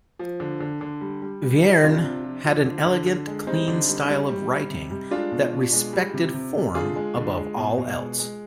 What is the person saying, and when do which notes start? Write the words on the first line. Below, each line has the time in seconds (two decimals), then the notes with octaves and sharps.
Vierne had an elegant, clean style of writing that respected form above all else.
0.19 F3
0.40 D3
0.60 D3
0.81 D3
1.01 G3
1.22 G3
1.43 G3
1.63 G3
1.83 C3 D4 F4
2.04 C3
2.24 F3
2.45 F3
2.66 D3
2.86 D3
3.06 D3
3.27 G#3
3.47 G3 C4 D#4
3.68 D3
3.88 G3
4.09 G3
4.29 G3
4.49 G3
4.70 C3
4.91 G3
5.11 G#3 D4 F4
5.32 B2
5.53 B2
5.72 G#3
5.93 G3
6.14 C3
6.34 C3
6.55 C3
6.75 D3 F4 G#4
6.96 G#3
7.16 D3
7.37 G#3
7.57 B2
7.78 B2
7.98 G#3
8.19 G#3